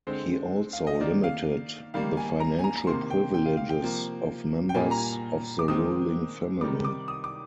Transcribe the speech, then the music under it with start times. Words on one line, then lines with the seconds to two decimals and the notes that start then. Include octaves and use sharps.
He also limited the financial privileges of members of the ruling family.
0.07 D3 G#3 C4 C5
0.73 F5
0.87 D#5
1.00 D#3 A#3 D5
1.24 F5
1.94 D#3 G3 A#3 F5
2.17 G#5
2.40 A#5
2.59 G#5
2.64 A#5
2.77 A#5
2.87 C3 D#3 A#3 C6
3.10 G5
3.34 G5
3.46 F5
3.57 F5
3.69 G5
3.81 C3 F3 A#3
4.69 G5
4.74 A#2 G3 A#3 G#5
4.91 A#5
4.98 G#5
5.59 D6
5.68 D#3 G#3 C4 D#6
6.61 C3 D#3 G3 D6
6.84 D6
7.08 D#6
7.24 D6